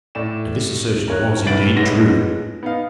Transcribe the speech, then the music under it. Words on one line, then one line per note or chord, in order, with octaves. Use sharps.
And this assertion was indeed true.
A2 D5 E7
A#4 C#5 F#6
C2 G#2 B4 A6 D7 F#7
B1 G#3 D#4 B4 F#5 A#6
B3 D#4 F5